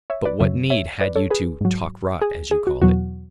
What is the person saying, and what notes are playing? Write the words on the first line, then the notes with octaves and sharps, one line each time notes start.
"But what need had you to 'talk rot,' as you call it?"
C#5 E5
B4 D5
F#2 C#3 F#3 C#5 E5
C#5 E5
B4 D5
A4 C#5
G#4 B4
G#2 F#3
G#4
G#4
F#4
E2 B2 F#3 F#4